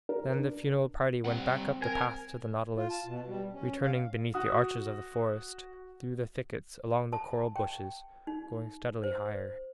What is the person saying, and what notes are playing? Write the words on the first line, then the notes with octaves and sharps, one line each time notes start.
Then the funeral party went back up the path to the Nautilus, returning beneath the arches of the forest, through the thickets, along the coral bushes, going steadily higher.
A#4
D4
G3 C4 F#5
A#4 G#5
F4
A5
B2
G3
C#4
F5
F#4 D#6
A5
G5
D#4
C5